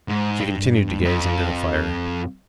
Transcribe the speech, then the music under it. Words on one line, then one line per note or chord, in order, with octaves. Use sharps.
She continued to gaze into the fire.
G#2
G2
F2